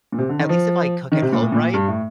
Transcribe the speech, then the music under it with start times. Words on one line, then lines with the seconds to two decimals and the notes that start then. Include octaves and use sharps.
at least if I cook at home, right,
0.12 A#2
0.18 C3
0.29 D3
0.39 D#3
0.49 F3
1.12 D#3
1.22 C3
1.33 A#2
1.42 A2
1.52 A#2
1.74 G2
1.88 A2